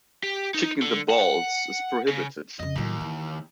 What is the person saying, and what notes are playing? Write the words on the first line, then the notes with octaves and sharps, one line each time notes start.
Kicking the balls is prohibited.
G4
D#4
D3
F#5
C#3
F2 C#3 D#5
D#2 A2 F#3
E3